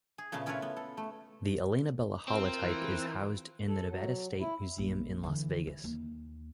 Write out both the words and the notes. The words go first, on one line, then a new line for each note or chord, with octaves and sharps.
The "Elainabella" holotype is housed in the Nevada State Museum in Las Vegas.
G#4
A#2 C#3 A3 B3 A5
C#4 E4 F4 A4 B4 C#5
B3
A4
A3
C4 F4 A#4
E3
A4
F#3
E4
A#1 G3
D3 E3
E3
D#2